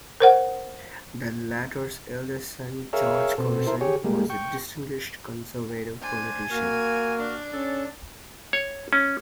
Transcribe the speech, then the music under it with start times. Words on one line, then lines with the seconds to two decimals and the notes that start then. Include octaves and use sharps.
The latter's eldest son George Curzon was a distinguished Conservative politician.
0.20 A#4 C5 F#5
2.93 G#4 A#4 C#5 E5 F5
3.38 B2 C4 A4
3.67 E4 A#4 C5
3.81 G4 G#4 C#5
4.05 G3 G#3 A#3
4.30 G5 C#6
6.03 D4 C5 G#5 A5
6.51 A#3 F#4 F6
7.19 D4
7.53 C#4 A4 A5
8.53 C#5
8.93 C#4